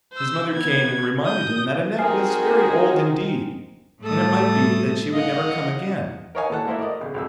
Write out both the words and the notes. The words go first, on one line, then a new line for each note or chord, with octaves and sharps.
His mother came and reminded him that Annette was very old indeed, and it might be that she would never come again.
C5 E6
B3 G#6
D#6 G6
C4 D#4 F#4 G#4 A#4 G#5 F6 C7
A2 G3 A3 A4 A5 D#6
D#5 F5 F#5
A#4 B4 C#5 D#5 F5 G#5
A#2 E3 A4 F#5
A3 A#3 E4 C5 D5 E5
A#4 D5 D#5
B1 C#3
B1 F2 E6